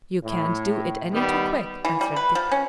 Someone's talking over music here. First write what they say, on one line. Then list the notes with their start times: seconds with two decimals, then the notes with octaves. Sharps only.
"You can't do it any too quick," answered Dick.
0.24 A2
1.12 D#3 G3 B3
1.85 E3
2.01 G3
2.16 B4
2.35 F3
2.52 C#4